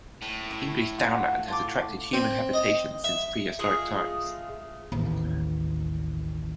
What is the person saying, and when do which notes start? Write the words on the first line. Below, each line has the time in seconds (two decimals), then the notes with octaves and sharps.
English downland has attracted human habitation since prehistoric times.
0.22 A2
0.51 E4 C#6
0.98 F4 F#4 F#5
1.48 F4 A5 D6
2.13 C4
2.54 D#5
3.04 E5
3.59 G#3 A3 F4 G#4
4.92 A1 D#2